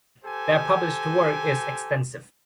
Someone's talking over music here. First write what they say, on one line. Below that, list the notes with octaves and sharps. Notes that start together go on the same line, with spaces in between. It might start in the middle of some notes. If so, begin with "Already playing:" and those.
Their published work is extensive.
G4 A4 C5 G#5